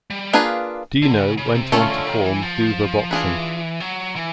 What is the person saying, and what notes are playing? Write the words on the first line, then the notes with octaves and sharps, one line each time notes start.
Dino went on to form Duva Boxing.
G3
A#3 D4 F4 G#4 B4
D3
C#3
C#3
C3
C#3 A3 C#4 F4 A4
D3
D#3
E3
F3
E3 D4 F4 G#4 B4
F#3
E3